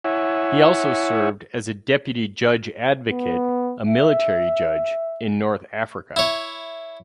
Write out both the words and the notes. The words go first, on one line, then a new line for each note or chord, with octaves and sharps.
He also served as a deputy judge advocate, a military judge, in North Africa.
E4 C#5 E5 F#5 G#5
B3
E5
E4 C#5